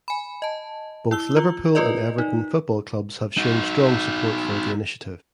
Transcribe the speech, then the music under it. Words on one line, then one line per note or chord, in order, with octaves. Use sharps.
Both Liverpool and Everton football clubs have shown strong support for the initiative.
G#5 B5
D#5 A5
E4 E6 G7
F4
F4 A#4 B4 D5 D#5
D#4
D#4 F#4